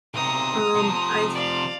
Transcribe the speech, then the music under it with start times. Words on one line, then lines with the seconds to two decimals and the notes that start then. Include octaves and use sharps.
Um, I
0.14 B1 C3 A#5 D#6
0.75 C3 F3
1.33 D5 F5